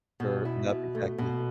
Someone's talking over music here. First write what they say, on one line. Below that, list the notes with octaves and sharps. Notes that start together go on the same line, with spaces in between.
Ter nup, exactly.
B2
E4
B2
A3
B2